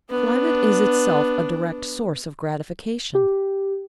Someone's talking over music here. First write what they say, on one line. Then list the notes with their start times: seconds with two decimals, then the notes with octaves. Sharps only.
Climate is itself a direct source of gratification.
0.10 B3 D4
3.15 G4